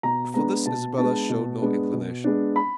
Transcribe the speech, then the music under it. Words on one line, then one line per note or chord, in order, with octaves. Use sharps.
But for this Isabella showed no inclination.
B2 A#5
G#3 B3 D4 A#5
B2 A5
G#3 B3 D4 A5
B2
G#3 B3 D4
B2
G#3 B3 D4
B5